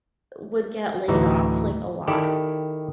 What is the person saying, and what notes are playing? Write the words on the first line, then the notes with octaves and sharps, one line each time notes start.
would get laid off, like, a lot,
D2 A2 E3 D#4 F#4
D#3 E4 G4 A4 D5